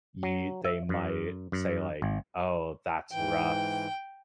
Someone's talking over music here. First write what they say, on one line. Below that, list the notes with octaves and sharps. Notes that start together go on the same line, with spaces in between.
you they might say like, "Oh, that's rough.
F#3
E5
F#2
F#2
G#1
G#2 E3 G5